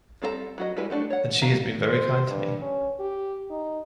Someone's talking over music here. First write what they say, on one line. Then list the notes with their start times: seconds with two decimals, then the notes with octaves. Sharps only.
And she has been very kind to me.
0.22 G3 C4 A4 E5 A#5
0.58 F#3 F#4 D#5
0.77 G3 G#3 E4 B4 G#5
0.90 A3 D4 F#4 G4
1.10 C#5 F#5
1.42 F#3 F5 A#5
1.87 C5
2.28 G2
2.62 C#4
2.99 G4
3.50 D#4